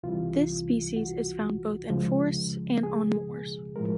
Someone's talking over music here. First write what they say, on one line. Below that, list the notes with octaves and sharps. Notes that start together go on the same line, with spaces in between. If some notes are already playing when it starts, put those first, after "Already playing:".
This species is found both in forests and on moors.
C2 C3 E3 G3 F4
F#4
C#2 C#3 F3 G#3
G#4
A2 F3 G#3 A#4